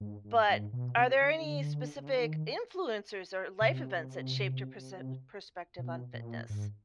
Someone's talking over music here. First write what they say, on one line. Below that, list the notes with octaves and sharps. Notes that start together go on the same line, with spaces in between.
but are there any specific influencers or life events that shaped your perse perspective on fitness?
G#2
G#2
G#2
B2
C3
D3
C#3
D3
D#3
C3
B2
A#2
G#2